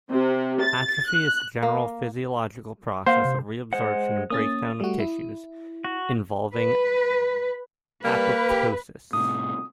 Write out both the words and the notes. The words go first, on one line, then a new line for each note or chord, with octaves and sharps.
Atrophy is the general physiological process of reabsorption and breakdown of tissues, involving apoptosis.
C3
A6
F#6
A#3
A#3 C5 F5 F#5
C3
G#3 C5 F#5
A#3 C#4 D#6 A6
G3 A3 F#4
E4
F#4
B4
G3 A#3 B4
G4
A2 C3 D#6